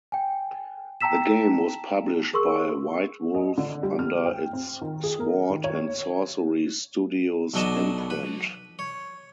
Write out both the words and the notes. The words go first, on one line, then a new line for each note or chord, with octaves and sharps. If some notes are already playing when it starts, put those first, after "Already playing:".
The game was published by White Wolf under its Sword and Sorcery Studios imprint.
G5 G#5
G5 A5 A#5 E6 B6 E7
G#4 A#4 C6 C#6 E6
D#5
D3
G3
F6
G5
C4
D#3
G#4
A#4
D#3
C#5
B1 B2 F#3 D4 D#5 A5
B4
C#5